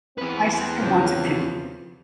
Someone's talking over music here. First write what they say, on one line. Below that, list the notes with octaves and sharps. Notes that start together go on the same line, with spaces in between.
My sister wants it too.
E2 C4 B4
C#3 F3